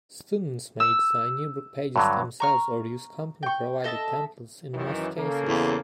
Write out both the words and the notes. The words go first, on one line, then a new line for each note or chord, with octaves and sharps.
Students may design yearbook pages themselves or use company-provided templates in most cases.
E6
G2 D3 F#3
A#5 C#6 F6
G5 C#6
A4 D#5 E5 A5
F#2 D#3 E3
C#3 A#3 A4
E2